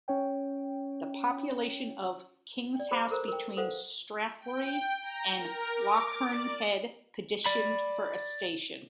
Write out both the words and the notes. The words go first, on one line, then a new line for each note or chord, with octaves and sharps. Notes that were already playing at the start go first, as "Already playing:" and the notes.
The population of Kingshouse, between Strathyre and Lochearnhead, petitioned for a station.
C#4 C#5 G5
D5 G5
G#4 C5 B5 D6
A4 A#4 C5 A#5
A#4 G5
A4 B4 C5 F5 F#5
G5
A#5
A#4
D6
D5
D5 B5